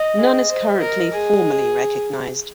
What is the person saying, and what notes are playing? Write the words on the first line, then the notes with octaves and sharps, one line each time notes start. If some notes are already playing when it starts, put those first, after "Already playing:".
None is currently formally recognized.
Already playing: D#5
G#4
C5
A#4
G#4